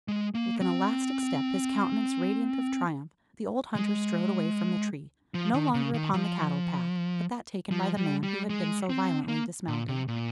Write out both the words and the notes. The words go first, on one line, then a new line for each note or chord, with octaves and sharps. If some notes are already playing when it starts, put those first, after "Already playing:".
With an elastic step--his countenance radiant of triumph--the old hunter strode away from the tree, no longer upon the cattle path, but that taken by the man who had been so violently dismounted.
G#3
A#3
C4
G#3
F3
D#3
C#3
D#3
F3
F3
G3
G3
G#3
C4
A#3
A#2
C3
A#2